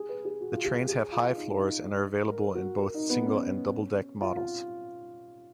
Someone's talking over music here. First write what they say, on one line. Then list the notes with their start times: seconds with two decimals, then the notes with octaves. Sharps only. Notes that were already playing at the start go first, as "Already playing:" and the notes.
The trains have high floors, and are available in both single- and double-deck models.
Already playing: G#4
0.09 B4
0.25 G#4
0.41 F#4
0.53 F4
0.65 G#4
0.88 G#4
1.12 F4
1.36 D#4
1.60 D#4
2.31 A#4
2.55 F#4
2.79 A#4
2.94 D#4
3.10 B3
3.26 C#4
4.21 F4
4.37 F4